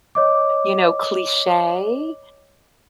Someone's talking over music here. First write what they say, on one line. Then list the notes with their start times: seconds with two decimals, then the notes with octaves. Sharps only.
you know, cliche,
0.15 C#5 D#5 D6